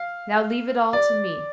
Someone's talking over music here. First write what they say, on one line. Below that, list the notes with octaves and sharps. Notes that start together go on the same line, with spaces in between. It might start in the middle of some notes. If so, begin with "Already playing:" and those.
Now leave it all to me!
Already playing: F5
D5